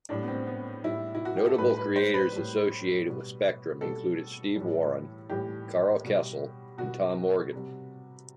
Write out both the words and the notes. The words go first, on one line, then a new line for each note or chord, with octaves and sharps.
Notable creators associated with Spectrum included Steve Woron, Karl Kesel and Tom Morgan.
A2 G3 D4
B3
C4
B3
A2 G3 E4
E4
F#4
G4
A4
A2 G3 B4
B4
C5
B4
A2 G3
B2 G3
B2 G3 A4
A2 E3 G3
A2 E3 G3 G4
B2 G3
B2 G3 F#4
C3 G3